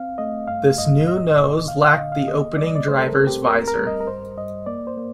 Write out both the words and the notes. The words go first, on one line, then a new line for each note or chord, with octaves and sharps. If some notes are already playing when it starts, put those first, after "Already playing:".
This new nose lacked the opening driver's visor.
Already playing: C4 F5
A3 D#5
G2 F5
G2 D#5
A#2 D#5
A#2
D3 F5
F5
D3 D#5
F5
A#3 D#5
G3 D5
D#5
D5
A3 C5
A4
A#4
C4
G4
F2 A#4
A#4
G3
D#5
A#4
G2 C5
G2 D#5
A#3 D5
C5
A#3